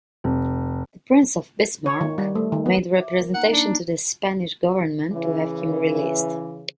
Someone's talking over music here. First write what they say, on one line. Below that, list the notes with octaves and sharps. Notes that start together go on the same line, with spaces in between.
The Prince of Bismarck made representations to the Spanish government to have him released.
F1
C#5
D#3
G3
A3
D#3
B3
E5 D6
A#4
A#3 D#4 F#5 A#5
D4
C#3 E3